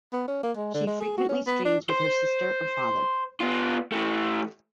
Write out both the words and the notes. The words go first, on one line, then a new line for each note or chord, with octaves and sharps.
She frequently streams with her sister or father.
B3
C#4
A#3
G#3
D3
G#3
G#4
F#4
C#4
B3
D4
C5
B3 F4
E3 A3